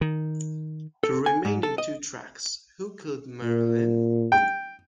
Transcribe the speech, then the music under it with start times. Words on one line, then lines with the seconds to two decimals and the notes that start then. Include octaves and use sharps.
The remaining two tracks, Who Killed Marilyn?
0.01 D#3
1.03 A4
1.26 G#5
1.45 G#2
1.63 A4
1.78 D#5
3.43 A#2
4.32 G5